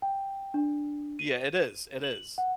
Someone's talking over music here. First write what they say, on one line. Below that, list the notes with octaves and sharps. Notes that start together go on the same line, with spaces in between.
Yeah, it is, it is,
G5
D4
D#7
F#7
F#5